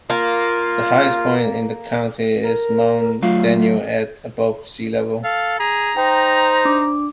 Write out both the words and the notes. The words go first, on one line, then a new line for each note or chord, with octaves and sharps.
The highest point in the county is Mount Daniel at above sea level.
A#3 F4
A#4
F#3 A3 F4 F5
A4 F5
G#4 A#5
D#4 C5 G5
D4 D6